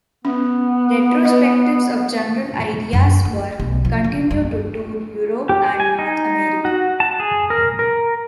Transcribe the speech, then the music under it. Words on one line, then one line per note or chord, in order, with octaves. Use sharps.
Retrospectives of General Idea's work continue to tour Europe and North America.
B3 C#4
B4 D#5
F#2
A3
B1
F3
C#3
G2
G4
G#5
D#4
F#4
A5
G#4
A#4
A#4